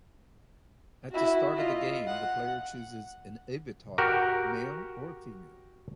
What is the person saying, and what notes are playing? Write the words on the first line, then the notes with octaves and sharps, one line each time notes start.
At the start of the game, the player chooses an avatar, male or female.
E4 F#4
F4 D#5
F#5
F#4 G4 A#4